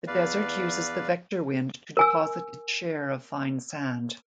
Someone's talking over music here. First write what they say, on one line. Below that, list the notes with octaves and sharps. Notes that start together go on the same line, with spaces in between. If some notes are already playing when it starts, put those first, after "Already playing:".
The desert uses the vector wind to deposit its share of fine sand.
E2 B4 D5 F5
A#4 G#5 E6